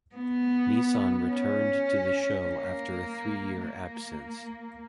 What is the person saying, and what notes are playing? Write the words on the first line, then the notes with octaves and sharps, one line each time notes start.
Nissan returned to the show after a three-year absence.
B3
C#4
A#3
A#3